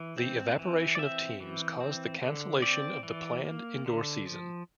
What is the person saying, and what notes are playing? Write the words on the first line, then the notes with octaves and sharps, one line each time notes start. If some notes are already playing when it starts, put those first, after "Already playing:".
The evaporation of teams caused the cancellation of the planned indoor season.
Already playing: E3
C4
E3
D5
C4 E5
E3
C4
D3
C4 D5
E3
A#3
D3
F3